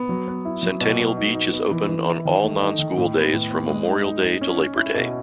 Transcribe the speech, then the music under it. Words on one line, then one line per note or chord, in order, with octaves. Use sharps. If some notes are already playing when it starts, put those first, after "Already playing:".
Centennial beach is Open on all non-school days from Memorial Day to Labor Day.
Already playing: B3
F#3
B3
E4
F#3
B2
B2
D#4
D#4
B3
E3
E3
E4
D#3
A3
D#4
D#3
A2
B3
A2
B3
G#3
D#4
D#4
D#4
C#4
C#4
E4
B2